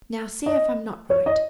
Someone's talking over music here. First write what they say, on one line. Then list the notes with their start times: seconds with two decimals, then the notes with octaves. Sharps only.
Now see if I'm not right.
0.46 D#5
1.10 C#5
1.26 D#5